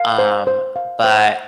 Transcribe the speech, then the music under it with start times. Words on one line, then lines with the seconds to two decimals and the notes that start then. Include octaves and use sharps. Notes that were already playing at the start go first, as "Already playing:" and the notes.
um, but
Already playing: F5
0.18 C5
0.47 C5
0.76 F5
1.04 C5